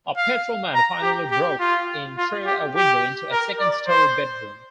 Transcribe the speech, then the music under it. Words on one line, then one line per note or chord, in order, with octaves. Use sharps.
A patrolman finally broke in through a window into a second-story bedroom.
F5
A#5
G4
G4
F4
F4
G4
G4
A#4
D5
C5